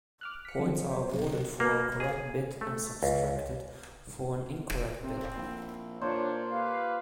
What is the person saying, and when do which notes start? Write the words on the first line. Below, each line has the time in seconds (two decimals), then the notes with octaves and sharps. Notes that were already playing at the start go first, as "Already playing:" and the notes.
Points are awarded for a correct bid and subtracted for an incorrect bid.
0.21 D6 F6 F#6
0.45 B6 C#7
0.59 F3 F#3 C4
0.92 C5 C#5
1.13 B2 F#3
1.60 A#3
2.00 G#4
2.61 A3
3.03 C#2
5.03 C3 C4
5.36 A#1 E4
6.01 A#2 D4 F4 C5 C#5
6.51 A#3 G4 B4 F5